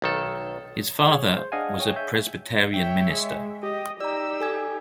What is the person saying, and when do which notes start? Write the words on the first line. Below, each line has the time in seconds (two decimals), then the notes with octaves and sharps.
His father was a Presbyterian minister.
0.02 B1 D#3 A4
1.09 G#4 C#5
1.36 C5
1.52 D4 G#4 D#5 F5 F#5 G#5
1.79 G#4 C#5 G5 G#5
1.96 C#5 E5 G6
2.74 C#5 E5 G5
3.10 G#3
3.63 G4 D#5
4.00 D#4 G4 D5 A#5 E6
4.41 A4 G#5 G#6